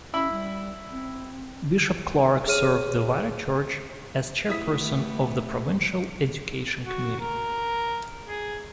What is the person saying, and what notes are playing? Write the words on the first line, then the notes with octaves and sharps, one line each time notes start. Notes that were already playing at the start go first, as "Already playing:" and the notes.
Bishop Clarke served the wider church as chairperson of the Provincial Education Committee.
C#4 E4 E5 B5
G3
C4
G#4 C#5 F6 D#7
A3 B3 E4 G4 D#6 B6
F#4
A#4
G#4